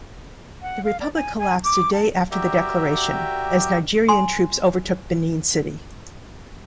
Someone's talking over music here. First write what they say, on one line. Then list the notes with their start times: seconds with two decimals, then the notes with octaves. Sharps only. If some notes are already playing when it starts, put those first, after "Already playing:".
The republic collapsed a day after the declaration as Nigerian troops overtook Benin City.
0.62 F#5
0.84 F5
1.00 D5
1.15 G#5
1.39 G#5
1.64 D6
1.93 A5
2.32 F#4 G4 A#4 D5 E5 G5
4.09 G#5 C6